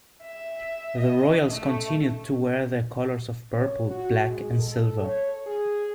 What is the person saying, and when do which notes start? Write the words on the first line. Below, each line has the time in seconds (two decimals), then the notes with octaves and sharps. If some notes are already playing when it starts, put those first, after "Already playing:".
The Royals continued to wear their colors of purple, black, and silver.
0.22 E5
0.98 D#5
1.48 A3
3.56 C#5
3.85 F#4
4.28 G#3
4.59 A4
5.04 C#5
5.46 G#4